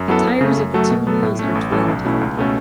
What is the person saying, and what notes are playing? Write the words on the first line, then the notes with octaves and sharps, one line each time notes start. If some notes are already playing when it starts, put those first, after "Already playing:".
The tires of the two wheels are twinned.
Already playing: F#2
F#3 B3 E4 A4
F#2
C#3 A3
F#2
F#3 A3 F#4 A4
B2
F#3 B3 A4
A2
A3 C#4
A1
A2 E3 C#4 A4
B1
B2 A3 C#4 E4
C#2
B2 A3 C#4 A4